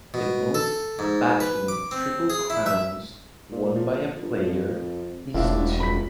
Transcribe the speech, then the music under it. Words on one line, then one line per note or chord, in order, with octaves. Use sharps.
The most batting Triple Crowns won by a player is two.
B2
A4
G#2
B4
D6
C4
G#4
E4
E5
A#2
F3
G1
F2
E1 A1 D4 E4 F4
C#2 B5 B6